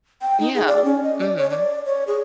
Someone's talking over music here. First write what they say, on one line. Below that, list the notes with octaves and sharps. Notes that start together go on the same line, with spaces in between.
Yeah. Mhm.
G5
D#4
G#4
D5
C#4
D#5
D5
C#5
D5
C#5
G#4